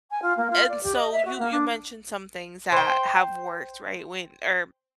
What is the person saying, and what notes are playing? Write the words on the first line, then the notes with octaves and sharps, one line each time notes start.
and so you, you mentioned some things that have worked, right, when or
G#5
F4
A#3
F4
D5
G4
D#5
E5
F#4
A#3
D4
C5 G5